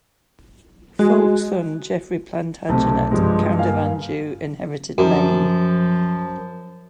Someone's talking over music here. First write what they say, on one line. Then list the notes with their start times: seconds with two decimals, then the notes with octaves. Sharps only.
Fulk's son Geoffrey Plantagenet, Count of Anjou inherited Maine.
0.99 G#3 F#4
2.69 B1 C3 A3
3.11 G2 F3 G#3
3.59 A#3 F5 G#5
4.98 F#2 F3